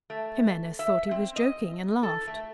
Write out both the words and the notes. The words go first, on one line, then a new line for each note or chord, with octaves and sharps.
Jimenez thought he was joking, and laughed.
A3
E5
C4
D#5
A4
A3